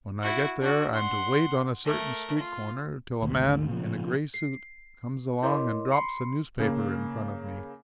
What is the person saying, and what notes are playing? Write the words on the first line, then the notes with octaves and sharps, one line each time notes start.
When I get there I'm to wait on a certain street corner till a man in a gray suit comes along and drops a newspaper in front of me.
E4 F#4
D4 F#4
F#5 C6
A3 A#4
F4
G#1 D2
A#2 C#3 F3
C7
E4 A#4 C#5 D#5 C6 D6
B5 C6 C7 C#7
C#3 A#3